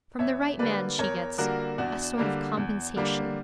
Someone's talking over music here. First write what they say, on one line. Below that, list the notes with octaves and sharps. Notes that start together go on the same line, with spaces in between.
'From the right man she gets--a sort of compensation.'
E2 C#5 E5
D3 G3 A#3 B4 D5
E2 A#4 C#5
D3 G3 A#3 F#4 A#4
E2 D4 F#4
D3 G3 A#3
E2
D3 G3 A#3